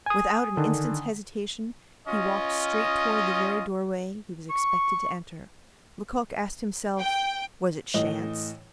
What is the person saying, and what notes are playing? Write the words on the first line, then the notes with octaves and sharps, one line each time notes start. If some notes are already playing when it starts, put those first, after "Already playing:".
Without an instant's hesitation he walked straight toward the very doorway he was expected to enter--Lecoq asked himself was it chance?
G#5 D#6
D3 D#3 D4
C#4 F4 D#5
C#6
G5
A2 E3 D#5 G7